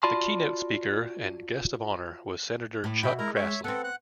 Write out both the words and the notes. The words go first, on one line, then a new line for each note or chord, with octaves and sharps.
The keynote speaker and guest of honor was Senator Chuck Grassley.
F4 F#4 D5 A5 B5 C6
A2
B2 E4 F#4 G5 B5
G#3 E4 A#4 A#5
C#5 E5
B3 C4 A4 F#5
F#5 F#6